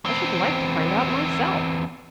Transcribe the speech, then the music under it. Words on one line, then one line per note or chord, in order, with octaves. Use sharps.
"I should like to find out myself."
E2 C4